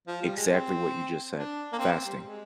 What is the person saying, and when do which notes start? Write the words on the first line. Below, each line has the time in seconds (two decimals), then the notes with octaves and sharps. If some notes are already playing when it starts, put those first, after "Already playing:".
Exactly what you just said: fasting.
0.08 F3
0.22 G3
0.37 G#3
0.51 C4
1.36 D4
1.73 A#3
1.79 C4
1.92 C4
2.06 G3
2.21 G#3